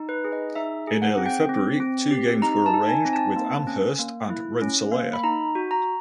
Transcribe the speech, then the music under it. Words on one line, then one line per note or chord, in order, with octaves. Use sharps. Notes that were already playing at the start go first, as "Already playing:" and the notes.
In early February two games were arranged with Amherst and Rensselaer.
Already playing: D#4
B4
G#4
D#5
D#4 E5
G#4
F#5
C4
G5
C4
C4
G4
D#4 A#5
A5
D#4
G#5
C4
A5
A#3
C#4
A#3
E4
C#4
A#3
B5
D#4 A#5
F#4
A#5